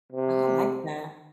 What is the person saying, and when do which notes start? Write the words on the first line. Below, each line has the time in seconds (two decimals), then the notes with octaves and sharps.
I like that.
0.12 C3